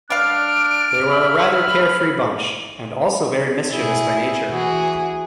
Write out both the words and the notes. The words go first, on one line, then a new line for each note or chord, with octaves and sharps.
They were a rather carefree bunch, and also very mischievous by nature.
G3 D4 F5 F6 D7
E5 B5
B2 E4 G#4
E3 F#4 G#4